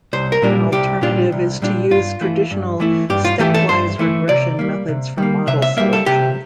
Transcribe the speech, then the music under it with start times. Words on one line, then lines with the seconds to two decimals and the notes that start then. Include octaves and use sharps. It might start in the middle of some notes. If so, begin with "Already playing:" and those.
An alternative is to use traditional Stepwise regression methods for model selection.
0.13 C2 C5
0.32 A#4
0.42 A#2 G3 D4 F4
0.72 C2 G4
1.02 A#2 G3 D4 F4
1.32 C2
1.62 A#2 G3 D4 F4
1.91 G2 F4
2.21 E3 A3 E4
2.51 G2
2.80 E3 A3 E4
3.10 G2 G4
3.25 F4
3.39 E3 A3 E4 G4
3.54 A4
3.69 G2 C5
3.99 E3 A3 E4
4.29 C3 D5
4.59 G3 A#3
4.88 C3
5.18 G3 A#3
5.47 C3 E5
5.62 E5
5.77 G3 A#3 E5
5.93 A4
6.06 C3 G4